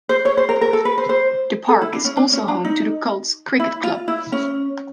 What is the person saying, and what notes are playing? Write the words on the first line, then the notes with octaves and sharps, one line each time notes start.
The park is also home to the Cults Cricket Club.
C5
C#5
C5
A#4
A#4
A4
B4
C5
C5
A4
E4
D4
C#4
D4
C#4
D4
D#4
E4
F4
E4
C#4